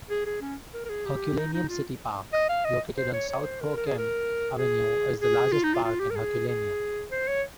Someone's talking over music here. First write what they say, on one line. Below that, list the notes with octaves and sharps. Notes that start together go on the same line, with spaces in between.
Herculaneum City Park, located on South Joachim Avenue, is the largest park in Herculaneum.
G#4
G#4
C#4
A#4
A#4
G#4
G4
D#4
D#4
F4
D#5
F5
D#5
C5
C#5
C#5
C5
A#4
A#4
G#4
A#4
G#4
G#4
F4
D#4
F4
F4
G4
A#4
G#4
G#4
C5
C#5